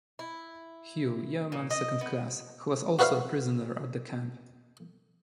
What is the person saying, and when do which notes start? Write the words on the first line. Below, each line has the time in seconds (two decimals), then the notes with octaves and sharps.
Hough, Yeoman Second Class, who was also a prisoner at the camp.
0.19 E4
1.52 A#2
1.70 D#5
2.01 B3
2.99 F4 F#4 B4 C5 E5 F5